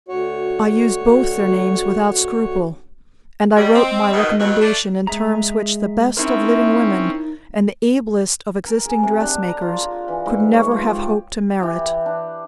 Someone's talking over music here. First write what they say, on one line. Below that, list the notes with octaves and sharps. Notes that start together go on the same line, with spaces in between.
I used both their names without scruple; and I wrote my recommendation in terms which the best of living women and the ablest of existing dressmakers could never have hoped to merit.
D2 F#4 C#5
B2 G3 D#5
C4
B2 D#3
G2 B2 F#3
A3 D4
G#3 G#4 E5 A#5
C4 C#4 D#4 E4 A#4 E5
A#4
G#4
C3
D4
A#5
F4
F4
E3
G#2
C#5
F4
G4
E3 G4
D4